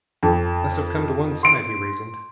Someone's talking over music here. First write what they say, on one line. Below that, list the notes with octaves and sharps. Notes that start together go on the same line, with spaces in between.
"Must have come to one side," he reasoned.
F2
C6 D7